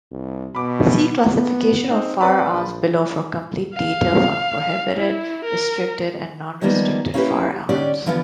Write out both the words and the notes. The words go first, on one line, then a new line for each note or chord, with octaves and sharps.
See Classification of firearms below for complete details on prohibited, restricted and non-restricted firearms.
C2
B2 B5 D6
B3
G#3 C4 D#4
C4 B4 D5 B5
A#1
F5
E4
A#4
D#3 F3 G3 G#3 A#3 B3
A#3 C#4 E4 G4 A4 B4
D3 C#4 D#4 G4 D5
D3 E3 F3 B3 F4